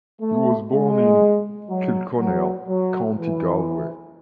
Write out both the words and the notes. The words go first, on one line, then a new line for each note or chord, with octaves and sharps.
He was born in Kilconnell, County Galway.
A3
G#3
F#3
F#3
F#3
E3